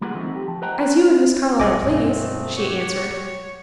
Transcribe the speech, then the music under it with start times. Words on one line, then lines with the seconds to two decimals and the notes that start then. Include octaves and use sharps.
"As you and Miss Carlyle please," she answered.
0.01 G3 A#3 F4 G#4 B4 F#5
0.15 E3 F#3 A3 B3 C4 D#4
0.35 G4
0.48 F3
0.62 B4 C5 D#5 F#5 G5 A#5
0.79 E4 B4 C5
1.60 B1 C3 G3 G#3 B3 D#5 G#5 D6
1.83 G2 B2 E3 F3 G#3 A3 C4
2.57 F#4 G4 C#5